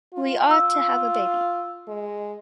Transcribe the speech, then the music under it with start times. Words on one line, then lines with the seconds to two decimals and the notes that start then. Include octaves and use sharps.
We ought to have a baby.
0.14 F4
0.51 E6
1.88 G#3